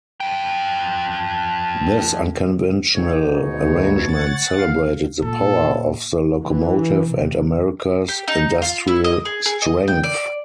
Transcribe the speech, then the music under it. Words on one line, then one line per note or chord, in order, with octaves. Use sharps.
This unconventional arrangement celebrated the power of the locomotive and America's industrial strength.
F2 G5
E2 G#2 D#4 C#5
D2 B2 C#5
F#5 A6
F5
A#2 A4
E3
C3
G4
D#4
F4
E4
D#5
G#4
G#4
D#5
G5
D5